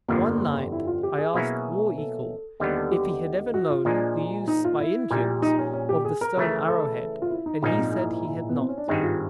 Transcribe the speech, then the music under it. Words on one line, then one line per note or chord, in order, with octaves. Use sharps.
One night I asked War Eagle if he had ever known the use, by Indians, of the stone arrow-head, and he said he had not.
G1 F2 D3 F3 A#3
E4
F4
G4
G#4
B2 F#3 A#3 C#4 E4
A4
D#2 D3 G3 B3 A#4
A4
G4
F#4
F4
A#2 F3 G#3 D4
D#4
F4
E4
A#1 A#2 G3
D#4
C#4
C#4
G4
G#4
A#4
C#3 E3 A3
A4
F4
E4
D#4
A#1 G#2 F3 A#3 C#4 D#4
C4
E4
E4
E4
B3
C4
C#4
D4
G#1 G2 D#3 G#3 C4 D#4
F4